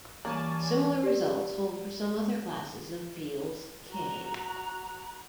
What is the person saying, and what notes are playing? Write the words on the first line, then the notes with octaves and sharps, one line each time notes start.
Similar results hold for some other classes of fields "k".
E3 G3 A#3 C#4 D5 G#5 A5
G4 D5
F#4 A#5